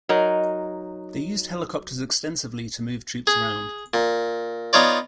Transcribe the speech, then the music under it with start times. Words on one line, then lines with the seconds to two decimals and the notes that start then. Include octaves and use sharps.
They used helicopters extensively to move troops around.
0.09 F#3 D#4 A#4
3.27 G#4
3.94 A#2
4.73 B3 D#4 F4 C#5 D5